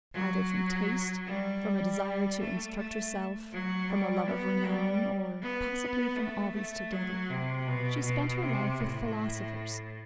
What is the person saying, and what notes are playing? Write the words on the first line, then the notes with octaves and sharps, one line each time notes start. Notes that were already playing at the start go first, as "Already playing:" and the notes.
Either from taste, from a desire to instruct herself, from a love of renown, or possibly from all these together, she spent her life with philosophers.
F#3
G3
A3
A3
F#3
G3
B3
G3
B3
A3
A3
F#3
C3
B2
B2
C3
A2